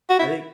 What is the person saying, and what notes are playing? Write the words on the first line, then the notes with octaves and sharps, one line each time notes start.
I think,
F#4
E4